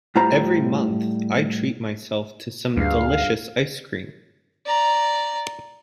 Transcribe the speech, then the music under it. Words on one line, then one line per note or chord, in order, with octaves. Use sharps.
Every month, I treat myself to some delicious ice cream.
A2 G3 F4 C5 A#5 B5
D2 G2 G3 D4 G#4 F5
D5 A#5